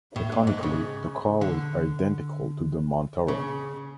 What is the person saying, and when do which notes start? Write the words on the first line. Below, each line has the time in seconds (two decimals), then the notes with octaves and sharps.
Mechanically the car was identical to the Mantara.
0.16 A2
0.32 G#2
0.47 G#2
0.63 C#3
1.41 D3
3.28 C#3